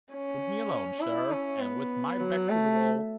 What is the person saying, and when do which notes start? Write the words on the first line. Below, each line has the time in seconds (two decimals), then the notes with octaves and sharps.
Put me alone, sir, and with my back to the wall.
0.13 C#4
1.01 E4
1.31 C#4
1.60 B3
2.20 F#3
2.49 A3